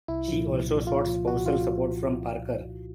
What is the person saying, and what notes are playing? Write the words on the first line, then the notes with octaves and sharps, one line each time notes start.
She also sought spousal support from Parker.
C2 E4
A#2 F3
C2
A#2 F3
C2 F4
A#2 F3
C2 F#4
A#2 F3 F4